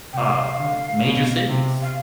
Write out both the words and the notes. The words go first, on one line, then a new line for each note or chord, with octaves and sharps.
uh, major cities.
C3 F5 G5
D3
B2
C3
F5